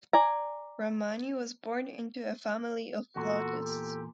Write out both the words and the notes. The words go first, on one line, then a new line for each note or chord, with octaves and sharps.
Ramani was born into a family of flautists.
D5 G#5 A#5
E2 A#2 F#4 A4
G4